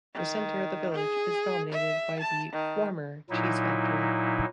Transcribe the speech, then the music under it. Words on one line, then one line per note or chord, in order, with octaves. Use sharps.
The centre of the village is dominated by the former cheese factory.
D#3
G#4
E5
A5
D#3
A#2 F#3 D#4 E4